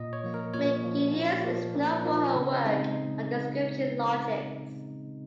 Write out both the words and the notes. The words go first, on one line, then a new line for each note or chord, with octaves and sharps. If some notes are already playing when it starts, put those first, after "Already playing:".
McGuinness is known for her work on description logics.
Already playing: A#2 D#5
C#5
F3 A#3
A#4
A#2 C#5
F3 A#3
A#2
F3 A#3
A#2
F3 A#3
C#3
G#3 C4 D#4